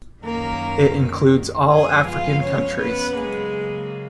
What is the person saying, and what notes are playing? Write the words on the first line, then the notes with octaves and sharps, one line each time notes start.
It includes all African countries.
F#2 D#3 F#3 A#3 C#4 A#4
F#2 F3 G#3 B3 G#4 G#5
F4 F5
C#4 C#5
B3 B4
C#3 F#3 G#3 A#3 G#4